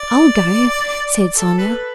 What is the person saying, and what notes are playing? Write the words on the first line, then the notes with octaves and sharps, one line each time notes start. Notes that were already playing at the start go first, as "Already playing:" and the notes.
"I'll go," said Sonya.
Already playing: D5
A4
B4